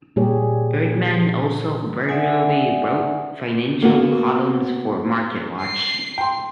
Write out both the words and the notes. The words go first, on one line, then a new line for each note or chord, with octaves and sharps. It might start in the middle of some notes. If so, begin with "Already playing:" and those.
Erdman also regularly wrote financial columns for Marketwatch.
A#2 G3 G4 G#4 C#5
D5 E5 F#5 G#5 D#6
A#3 B3 F#4
C7
G5 C6